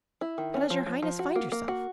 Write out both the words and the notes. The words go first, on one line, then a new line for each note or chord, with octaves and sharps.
How does your Highness find yourself?'
E4
D#3
C#4
F3
F3
F3
F#4
A#3
A#3
F#4